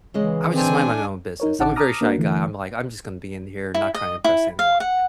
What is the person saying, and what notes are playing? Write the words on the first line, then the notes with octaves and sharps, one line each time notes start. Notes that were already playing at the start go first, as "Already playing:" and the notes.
I was just minding my own business, I'm a very shy guy, I'm like, "I'm just gonna be in here, not try and impress anyone,"
C#3 E3 G#3 D#5
C4 D4 G#5
D#4 A#4 C#5
A1 D#4 F#5 A5 D6
A5 A#5 D6 D#6 F6 A#6
A#3 D4 F#4 A#4
D3 E3 A3
E4
D#5
E4
F5
F#5